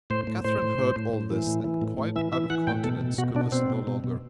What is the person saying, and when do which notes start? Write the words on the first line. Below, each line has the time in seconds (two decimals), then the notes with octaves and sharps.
Catherine heard all this, and quite out of countenance, could listen no longer.
0.10 A2 C5
0.27 A2
0.44 A2 C5
0.62 A2
0.79 A2
0.96 A2
1.13 A2
1.30 E3
1.47 A2
1.64 E3
1.82 A2
1.98 A2
2.16 E3 E5
2.33 E3 E5
2.50 E3 F#5
2.67 A2 G5
2.84 B2 A4
3.01 B2
3.18 B2 F#4
3.35 B2 D4
3.52 B2 C4
3.70 B2
3.87 B2
4.04 B2